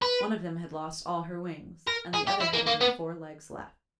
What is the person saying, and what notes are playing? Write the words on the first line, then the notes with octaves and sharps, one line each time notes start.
One of them had lost all her wings, and the other had only four legs left.
B4
A#4
G#4
G4
E4
A#3
A#3
B3